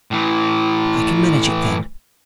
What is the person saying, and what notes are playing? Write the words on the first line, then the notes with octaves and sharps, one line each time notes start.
I can manage it then.
A2 E3